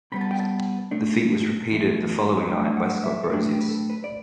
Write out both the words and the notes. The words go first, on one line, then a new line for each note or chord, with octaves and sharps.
The feat was repeated the following night by Scott Brosius.
B2 G3 B3 B5
A5
G5
A5
B2 A3 D4
E2 B2 A3
G2 F#3 A3 D4 G5
F#5
E5
A4
A2 F#3 A3 D4 G4
G4
B4
A4
B4
D5